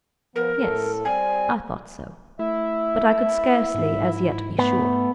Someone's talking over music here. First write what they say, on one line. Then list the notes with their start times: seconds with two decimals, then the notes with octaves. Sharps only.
Yes, I thought so; but I could scarcely as yet be sure.
0.36 F3 B3 A#4
0.62 A2 A3 A4
1.05 G3 C4 G#5
2.39 A3 E4 E5
3.75 G#2 D#4
4.59 A3 B3